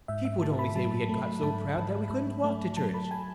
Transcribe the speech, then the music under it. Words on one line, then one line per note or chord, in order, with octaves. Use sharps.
People would only say we had got so proud that we couldn't walk to church.
G#2 E5
E5
A3 A5
B5
F#3 A5
A3
G#2 A5
G#2
G#2
A3
F#3 A5
B5
G#5